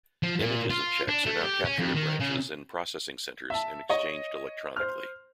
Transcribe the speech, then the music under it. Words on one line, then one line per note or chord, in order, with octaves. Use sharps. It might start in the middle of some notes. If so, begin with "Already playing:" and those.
Images of cheques are now captured at branches and processing centres and exchanged electronically.
F3
A#2
F4
D4
A3
G4
C#4
F2
D#3
C#3
E5 A5
C#5 D#5
C5 F6